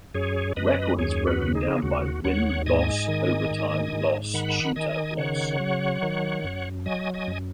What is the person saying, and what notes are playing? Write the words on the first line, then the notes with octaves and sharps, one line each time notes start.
Record is broken down by Win-Loss-Overtime Loss-Shootout Loss.
F#2 G#4 C#5
F#2 B4 D#5
D#2 G#4 C#5
F#4 B4
C#3
D#4 G#4
D#2 F#4
D#2 C#5 F#5
G#2 D#5 G#5
D#3
G#2
G#2
D#3 F#5 B5
D#3 D#5 G#5
C#3 C#5 F#5
F#3
D#3
F#2
F#3 D#5 G#5
D#5 G#5
F#2